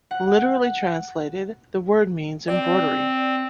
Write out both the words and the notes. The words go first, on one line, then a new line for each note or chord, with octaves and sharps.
Literally translated, the word means embroidery.
F#5
C4 D5